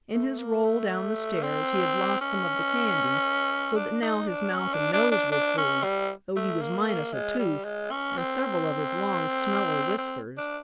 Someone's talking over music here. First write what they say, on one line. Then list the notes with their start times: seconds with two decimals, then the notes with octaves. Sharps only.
In his roll down the stairs, he had lost some of the candy, so that now his mouth and nose were free, though he was minus a tooth and several of his long smeller whiskers.
0.14 A3
0.39 A#3
0.65 A3
1.43 C4
2.21 C#4
3.76 D4
4.02 D#4
4.28 D4
4.54 C#4
4.73 D4
4.93 D4
5.12 D4
5.32 D4
5.58 C#4
5.83 G3
6.36 A3
6.62 A#3
6.88 A#3
7.13 G#3
7.39 G3
7.65 G#3
7.91 C#4
8.17 C4
9.98 C4
10.38 D4